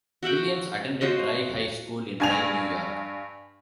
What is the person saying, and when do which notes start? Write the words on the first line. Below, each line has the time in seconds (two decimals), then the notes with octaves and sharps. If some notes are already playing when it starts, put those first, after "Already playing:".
Williams attended Rye High School in Rye, New York.
0.23 F#4 E5 F#5 G5
1.01 F4 F#4 C5 D#5
2.20 G2 G#5 F7